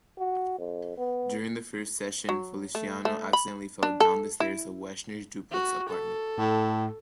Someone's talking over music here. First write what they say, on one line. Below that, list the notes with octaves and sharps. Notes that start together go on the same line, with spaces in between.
During the first session, Feliciano accidentally fell down the stairs of Weshner's duplex apartment.
F#4
F2
B3
F#3
A3
A3
B5
D4
A4
E4
F#4
A4
A2